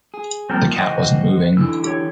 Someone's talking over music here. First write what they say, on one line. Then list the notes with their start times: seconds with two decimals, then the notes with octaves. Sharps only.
The cat wasn’t moving.
0.14 G#4
0.50 F3 G3 A#3 C4 A4 A#4
0.71 G#2 E3 F#4 C5 D#5 G5
1.57 D3 E3 E6
1.84 G4 A4 C#5